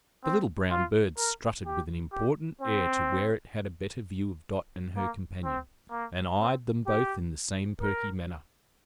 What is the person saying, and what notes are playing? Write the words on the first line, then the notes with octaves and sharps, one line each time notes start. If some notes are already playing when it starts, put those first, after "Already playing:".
The little brown bird strutted with an important air to where it had a better view of Dot and her companion, and eyed them both in the same perky manner.
C4
F4
A#4
G4
G4
C4
A#3
C4
A#3
C4
G4
A#4